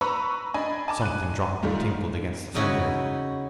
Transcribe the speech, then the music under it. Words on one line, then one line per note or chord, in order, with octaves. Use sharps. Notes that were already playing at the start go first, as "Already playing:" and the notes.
Something dropped and tinkled against the fender.
B4 A#5 B5 C#6 E6
D4 D#5 G#5 B5
G#5 A5 D6
F#6 D#7
G#2 D#3 G3 A3 F4
C#3 D#4 E4 F#4 B4 C#5